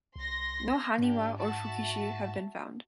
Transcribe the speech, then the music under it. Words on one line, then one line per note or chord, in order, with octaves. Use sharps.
No "haniwa" or "fukiishi" have been found.
C2 C6 A#6
G#2 D4 G4
F#4 E5 A5